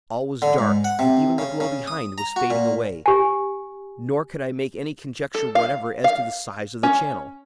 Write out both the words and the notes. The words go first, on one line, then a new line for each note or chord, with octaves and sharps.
All was dark, and even the glow behind was fading away; nor could I make any conjecture whatever as to the size of the channel.
D3
G#2
F#5
C3
C#3
C#3
D#6
A#5
F#4
A#2
G4 G#5
A4
F5
F5
C#4